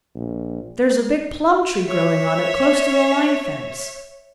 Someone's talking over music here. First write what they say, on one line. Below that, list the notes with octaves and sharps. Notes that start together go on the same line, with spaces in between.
There's a big plum tree growing on it close to the line fence.
A#1
C#5 E5